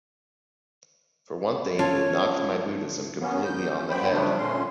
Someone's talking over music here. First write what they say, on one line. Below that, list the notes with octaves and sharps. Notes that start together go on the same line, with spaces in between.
For one thing, it knocked my Buddhism completely on the head.
F#3 C#4 F4 A4 C#5 A5
A#3 B3 C#4
G6
C#4
F#2 A#3 B3 C5 G5 B5
C#3 F3 G3 A3 D4
A#2 D3 C#4 C6